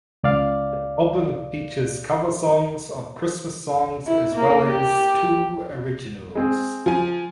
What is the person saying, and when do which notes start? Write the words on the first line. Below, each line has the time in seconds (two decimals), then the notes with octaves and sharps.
The album features cover songs of Christmas songs as well as two originals.
0.24 C#2 D5 F5
4.07 E4
4.35 A#3
4.70 G4
6.35 G#3 C4 G#4
6.86 F3 G#5